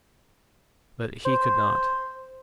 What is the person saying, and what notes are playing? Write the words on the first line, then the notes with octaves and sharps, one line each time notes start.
But he could not.
C5